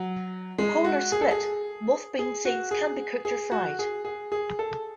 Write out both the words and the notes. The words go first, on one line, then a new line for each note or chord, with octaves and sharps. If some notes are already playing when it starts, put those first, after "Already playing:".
Whole or split moth bean seeds can be cooked or fried.
Already playing: F#3
G#3
F#4
G#4
A4
G#4
G#4
F#4
G#4
G#4
F#4
G#4
G#4
G#4
A4